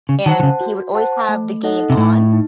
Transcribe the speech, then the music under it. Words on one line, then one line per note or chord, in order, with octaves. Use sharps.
and he would always have the game on,
C#3
D#3 C5 F#5 A5
D#3
C#3
F#4
C5 F#5 A5
A3
D#4 A4 D#5 F#5
C3
A2 A3
D#4